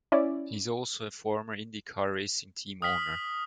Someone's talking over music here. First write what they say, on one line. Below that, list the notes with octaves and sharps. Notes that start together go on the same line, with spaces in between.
He is also a former IndyCar racing team owner.
C#4 E4 D5
D#6 F6 B6 F#7